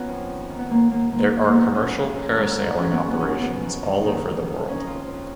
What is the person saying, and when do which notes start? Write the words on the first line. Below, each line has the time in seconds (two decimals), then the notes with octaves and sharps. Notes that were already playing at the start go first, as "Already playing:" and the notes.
There are commercial parasailing operations all over the world.
Already playing: F3 B3 C#4 D#4 F4
0.08 F2
0.29 D#3
0.50 D#3
0.59 B3
0.70 D#2 A#3
0.91 D#2 A#3
1.12 F3 A#3
1.33 F3
1.46 A#3
1.53 F#2 B3
1.74 F#2 C#4
1.95 D#3
2.16 D#3
2.37 G#2
2.57 G#2
2.78 F#2 C#4
2.92 B3
2.99 C#3
3.10 B3
3.20 F3 C#4
3.40 F#2 B3
3.61 D#3
3.82 D#3
4.02 D#2 D#4
4.24 D#2
4.44 D#3
4.65 D#3 C#4
4.77 D#4
4.86 F2 F4
5.06 F2